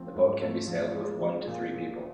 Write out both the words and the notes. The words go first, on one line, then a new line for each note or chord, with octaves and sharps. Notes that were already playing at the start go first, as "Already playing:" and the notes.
The boat can be sailed with one to three people.
Already playing: F3 A3 C4
G#2
A3
F3
G#3
F3
A#2
A#2